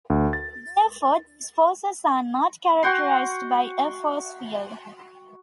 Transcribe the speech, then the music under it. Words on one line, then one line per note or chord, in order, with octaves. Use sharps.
Therefore these forces are not characterized by a force field.
D2
A6
F#4 F#5 G5 C6